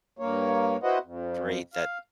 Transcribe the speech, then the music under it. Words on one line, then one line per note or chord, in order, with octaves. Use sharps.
great that,
G2 A#3 C#5
E4 F#4 B4 C5 D#5 F#5
F2
F5